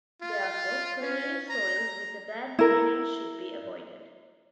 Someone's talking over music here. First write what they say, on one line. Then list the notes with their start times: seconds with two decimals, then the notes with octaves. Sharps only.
Therefore, clayey soils with a bad drainage should be avoided.
0.22 F4
1.02 C#4
1.50 A#5
2.59 E4 A#4